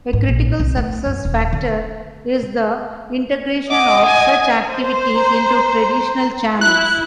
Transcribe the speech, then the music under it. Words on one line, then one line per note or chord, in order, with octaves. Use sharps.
A critical success factor is the integration of such activities into traditional channels.
G#2
A#1
C2
A3
F#2
D#1
D3
D#5 F#5 D6
G#5
C5
A#5
E4 F#6